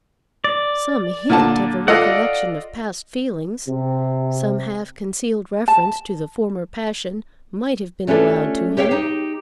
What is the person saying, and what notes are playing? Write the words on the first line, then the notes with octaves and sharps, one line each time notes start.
Some hint of a recollection of past feelings, some half-concealed reference to the former passion might have been allowed to him!
D5
A#2 D3 A5
F4 A4 D5 D#5 F5 F#5
C3
A5
A3 C#4 D4 F4 G4 A4
G4 C5 C#5 E5 F5 G5
D#4 G4